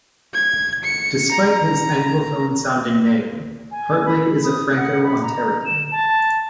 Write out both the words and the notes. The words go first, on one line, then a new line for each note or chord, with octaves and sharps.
Despite his anglophone-sounding name, Hartley is a Franco-Ontarian.
G#6
C#7
A#5
G#5
B5
D#6
F#5
B5
A#5
E7
A5